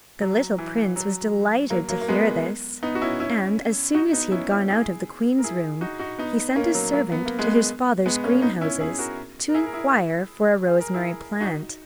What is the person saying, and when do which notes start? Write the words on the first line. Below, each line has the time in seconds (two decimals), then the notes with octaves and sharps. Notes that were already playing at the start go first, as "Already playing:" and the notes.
The little prince was delighted to hear this, and as soon as he had gone out of the queen's room he sent a servant to his father's greenhouses to inquire for a rosemary plant.
0.21 F#3
0.58 E3
0.96 F#3
1.70 F#3 A#3
1.89 F#3 A#3
2.01 A#3
2.08 G#3 B3
2.83 B3 D#4
2.95 F#4
3.02 C#4 E4
3.20 C#4 E4
3.94 D#4 F#4
4.13 B3 D#4
4.32 C#4 E4
4.51 C#4 E4
4.70 E4 G#4
5.39 A#4
5.44 E4 G#4
5.81 D#4 F#4
5.99 D#4 F#4
6.18 B3 D#4
6.56 A#3 C#4
6.75 F#3
6.93 F#3 A#3
7.12 B3
7.26 A#3
7.39 G#3 B3
8.06 G#3 B3
8.24 A#3 C#4
8.42 B3 D#4
8.61 C#4 E4
8.80 E4 G#4
8.99 F#4 A#4
9.49 A#4
9.54 E4 G#4
9.66 A#4
9.73 E4 G#4
10.67 G#4
10.81 A#4
10.94 E4 G#4
11.41 D#4 F#4